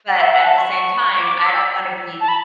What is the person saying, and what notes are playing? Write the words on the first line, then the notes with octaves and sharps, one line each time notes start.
but at the same time, I don't wanna be
F#5
E5
F#5
A5
C#6
D6
D6
E6
A5
B5